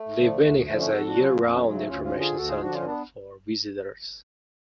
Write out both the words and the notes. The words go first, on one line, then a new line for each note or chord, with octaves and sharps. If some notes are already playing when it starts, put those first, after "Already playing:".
Lee Vining has a year-round Information Center for visitors.
Already playing: A3
D3 F3
D2 A3
D3 F3 A3
A3 C#4
F2 F#4 A4
D4 F#4
C#3 F#3
C#4 F4
F2 B3 D4
A3 C#4
C#3 F#3 G#3
A3
D2 C#4 F4
C#4 F4
D3 F3 F#4
F4 G#4
D2 F#4 A4
F4 G#4
D3 F3 D4 F#4
C#4 F4
B3 D4